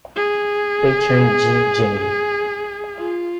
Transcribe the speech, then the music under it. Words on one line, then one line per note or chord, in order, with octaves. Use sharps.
Patron, G. J.
G#4
F4